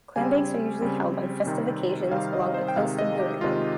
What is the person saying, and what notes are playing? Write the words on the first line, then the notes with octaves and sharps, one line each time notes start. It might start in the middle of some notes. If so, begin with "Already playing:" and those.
Clam bakes are usually held on festive occasions along the coast of New England.
C#3 G3 C4 G#5
C#3 G3 C4
C3 D#3 G3 C4
C3 D#3 G3 C4 F5
D#5
C5
G5
C3 D#3 G#3 F5
D#5
G4
C3 D#3 G#3 F4